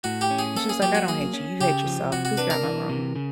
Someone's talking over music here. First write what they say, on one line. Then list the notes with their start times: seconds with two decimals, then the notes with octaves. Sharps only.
and she was like, "I don't hate you, you hate yourself, please get out my room."
0.04 A2 F#4
0.21 G4
0.31 C#4
0.39 G#4
0.57 A#3 A4
0.69 G#4
0.82 F#3 G4
0.95 F#4
1.08 A#3 G#4
1.34 C#4
1.60 C#3 G4
1.86 F3
2.12 C3 F#4
2.25 F#4
2.37 D4 B4
2.50 A#4
2.63 E3
2.89 C3
3.16 C#3